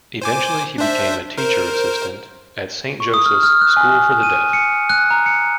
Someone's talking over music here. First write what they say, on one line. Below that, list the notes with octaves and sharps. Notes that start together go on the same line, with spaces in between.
Eventually, he became a Teacher Assistant at Saint Joseph's School for the Deaf.
C5 G#5 D6
D4 C5 E5
A#4 C5
C#6
D#6
F6
F6
F#6
G#5
D#7
C#7
F#6
A#5
C#7